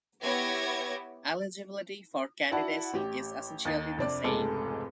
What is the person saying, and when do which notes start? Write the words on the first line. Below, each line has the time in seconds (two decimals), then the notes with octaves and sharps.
Eligibility for candidacy is essentially the same.
0.21 B3 E4 G4 C#5 G#6 A#6
2.52 E4 F#4 D5 F#5 A5 B5
2.93 A1 G4
3.65 D#2 D#4 A6
3.97 F2 C3 D4 D6
4.24 F1 C#2 G#2 G#3 A4 D6